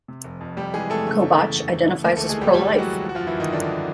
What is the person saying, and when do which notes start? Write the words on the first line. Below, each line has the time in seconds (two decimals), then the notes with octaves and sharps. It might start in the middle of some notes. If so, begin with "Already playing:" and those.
Kobach identifies as pro-life.
0.08 C3
0.24 F1
0.41 F2
0.57 C3 G3 G4
0.74 E3 G#3 G#4
0.90 F2 A3 A4
1.06 C#3
1.22 E2
1.40 E2
1.55 E2
1.73 E2
1.88 E2
2.04 D2 A#3 A#4
2.16 A3 A4
2.21 D2
2.29 G#3 G#4
2.38 E3 G3 G4
2.54 D2 G3 G4
2.70 E3
2.79 F#3 F#4
2.87 D2
3.04 F3
3.09 F#4
3.15 F3 F4
3.20 F#2
3.27 E3 E4
3.36 G#1 D#3 D#4
3.52 F#2 D3 D4